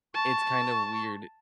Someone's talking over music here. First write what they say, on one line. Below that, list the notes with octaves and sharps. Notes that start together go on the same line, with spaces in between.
it's kind of weird
A5 C#6